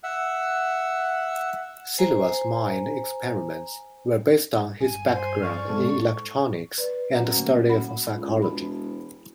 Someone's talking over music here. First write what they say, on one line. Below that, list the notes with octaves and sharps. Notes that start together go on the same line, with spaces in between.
Silva's mind experiments were based on his background in electronics and study of psychology.
E5 F#5
C5 G#5 A#5
G2 G#5
C5 G#5
D5 C#6 F6
G#2 A4
B4 D5
F#2 F#5 A#5
D3 A3 A#3
F#5 B5
C#2
E1 B5